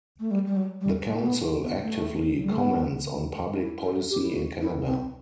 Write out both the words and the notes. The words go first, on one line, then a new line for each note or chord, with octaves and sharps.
The council actively comments on public policy in Canada.
A3
G3
G3
F#3
G3
A3
A3
B3
B3
A3
F#3
G3
A3
B3
E4
A4
G4
E4
F#4
E4
C4